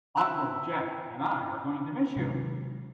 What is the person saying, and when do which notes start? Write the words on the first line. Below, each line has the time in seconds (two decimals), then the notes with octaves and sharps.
Uncle Jack and I are going to miss you.
0.17 C4 E4 E6 F#6
2.16 C3 D#3 F#3 G#3